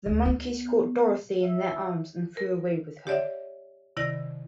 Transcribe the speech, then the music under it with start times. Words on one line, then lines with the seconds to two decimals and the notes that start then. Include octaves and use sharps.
The Monkeys caught Dorothy in their arms and flew away with her.
0.06 D2
0.25 B3
1.43 E5
2.37 A#4
3.07 G4 C#5 D5 E5 F#5
3.97 C3 D#3 E4 D5 A#6